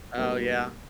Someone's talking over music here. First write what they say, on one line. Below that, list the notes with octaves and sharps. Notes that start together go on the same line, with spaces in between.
Oh yeah.
G#2 G3 A#3 A#4 B4